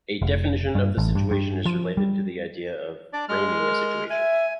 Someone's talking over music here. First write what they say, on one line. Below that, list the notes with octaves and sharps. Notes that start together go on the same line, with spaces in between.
A definition of the situation is related to the idea of "framing" a situation.
F1
G2
A1
G2
G2
F3
G3
D4 D5
G#3 F6
A#4
E5 G#5